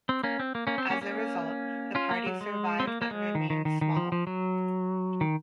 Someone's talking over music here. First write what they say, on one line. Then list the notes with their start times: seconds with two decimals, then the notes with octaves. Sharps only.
As a result, the party survived but remained small.
0.09 C4
0.24 A#3 C#4
0.40 C4
0.55 A#3
0.67 A#3 C#4
0.78 C4
0.90 A#3 C#4
1.01 A#3 C#4
1.95 C#4 F4
2.11 A#3
2.26 F#3
2.41 G#3
2.80 C4
2.87 A#3
3.02 A#3
3.11 G#3
3.35 D#3
3.50 D#3
3.65 D#3
3.81 D#3
3.97 F3
4.12 F3
4.27 F#3
5.21 D#3